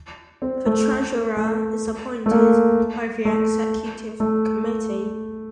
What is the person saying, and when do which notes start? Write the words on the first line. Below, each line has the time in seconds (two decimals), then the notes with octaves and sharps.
The Treasurer is appointed by the Executive Committee.
0.42 C4
0.66 A3
1.37 A3
2.26 A3
2.31 A#3
3.25 A3
4.20 A3